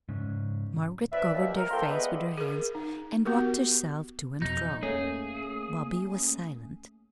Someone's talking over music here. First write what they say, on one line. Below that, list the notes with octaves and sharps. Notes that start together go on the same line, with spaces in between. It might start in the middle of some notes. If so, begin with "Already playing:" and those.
Margaret covered her face with her hands and rocked herself to and fro. Bobby was silent.
G#2 C#3
C3 B4 D5 E5
D#2
A#4
F3 A#3 A4 G5 C6
G#3 B3 E4 B4 D5 D#5
G#4 A#4
D#4
B3 F#4 G4 A#4
F2 B2 D#4
A3 A#3 C#4 G#4